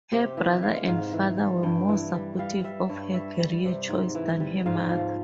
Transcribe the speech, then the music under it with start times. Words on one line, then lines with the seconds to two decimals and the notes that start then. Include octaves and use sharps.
Her brother and father were more supportive of her career choice than her mother.
0.12 C3 G4
0.37 E3 E5
0.62 G#3 F5
0.88 G#2 F5
1.13 E3
1.38 G3
1.63 G2 G5
1.89 E3
2.14 G3
2.39 G3 F5
2.64 G3 E5
2.89 G2 C#5
3.14 G3 E5
3.39 G3
3.65 C3
3.89 G#2
4.15 E3
4.40 G3
4.66 G#2 F5
4.90 F3